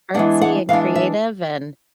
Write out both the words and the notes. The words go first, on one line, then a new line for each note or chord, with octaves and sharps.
artsy and creative, and,
E3 G#3 B3 D4 F#5
F#5
E3 G#3 B3 D4 F5
E5